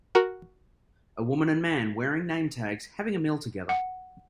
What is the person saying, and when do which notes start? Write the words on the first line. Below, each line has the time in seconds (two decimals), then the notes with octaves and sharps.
A woman and man, wearing name tags, having a meal together.
0.15 F#4 A#4
3.69 F#5